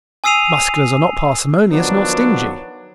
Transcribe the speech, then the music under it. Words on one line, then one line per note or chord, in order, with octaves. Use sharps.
Musculars are not parsimonious nor stingy.
G#5 D#6 E6 C7 D#7 F7
D#3 F3 F#3 B3 D4